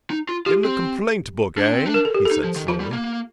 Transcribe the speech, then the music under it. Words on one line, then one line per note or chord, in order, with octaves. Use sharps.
"In the complaint-book, eh?" he said, slowly.
D#4
F4
F4 G4
C4
D4
C4
D4
A#4
A4
G4
A4
D#4
F3
D#3
F3 F4
G3
A#3